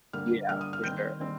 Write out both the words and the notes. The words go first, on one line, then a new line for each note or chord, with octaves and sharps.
Yeah, for sure.
D3 G3 A#3 F6
D3 G3 A#3 F6
D#6
F6
D#3 G3 C4 G6
D#3 G3 C4